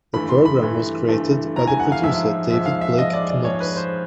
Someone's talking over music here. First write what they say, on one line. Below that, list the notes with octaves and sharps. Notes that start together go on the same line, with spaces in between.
The programme was created by the producer David Blake Knox.
G2 E3 A3 B5
C6
B5
G2 E3 A3
G2 E3 A3
G2 E3 A3 A#5
G#5
F#5
F5
G#2 F3 G#3 E5
G#2 F3 G#3 E5
F5
E5
G#2 F3 G#3 D#5
D5
D5
G#2 F3 G#3 C#5
B4
C5